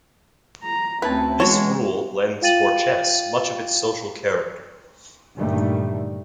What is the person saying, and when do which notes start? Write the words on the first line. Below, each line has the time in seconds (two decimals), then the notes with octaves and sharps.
This rule lends Forchess much of its social character.
0.63 A#5
1.02 D2 C4 C#4 E4 B4 A5
1.40 E3 G#3 B3 C#4 C#5
2.42 F4 F5 G5 A6 D#7 F#7
5.35 G2 A#2 D3 D#3 G3 A3